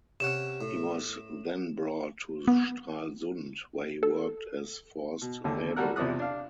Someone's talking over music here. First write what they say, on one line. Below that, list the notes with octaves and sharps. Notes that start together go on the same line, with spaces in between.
He was then brought to Stralsund where he worked as forced laborer.
C3 C#4 F#5 E7
A2
B3
A4
B2
G#1 D#2 D3
G3 F#4 A4 A#4 F#5 F#6
E2 C3 F3 D5 D#6 F#6
D4 F5